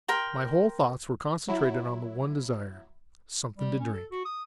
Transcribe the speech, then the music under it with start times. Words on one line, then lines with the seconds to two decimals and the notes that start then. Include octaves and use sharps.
My whole thoughts were concentrated on the one desire--something to drink!
0.08 A#4 G5 C6
1.48 F#3 E4
3.58 G3
3.80 C#4
3.93 A4
4.11 F#4
4.25 D#6